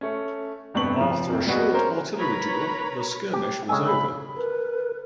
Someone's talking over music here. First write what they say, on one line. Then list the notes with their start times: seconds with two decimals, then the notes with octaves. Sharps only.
After a short artillery duel the skirmish was over.
0.01 A3 C#4
0.74 F1 G2 B3 C4 C#6 F#7
1.01 F3
1.30 F1 C4
1.47 G3 B3 F#4 G#4 D#5
1.73 C#4 A#4 C5
2.17 A#4 B4 C#5 A#5 B5
3.33 G4
3.69 C#3 G#3 G#5 E6
3.87 B5
4.37 A#4 B4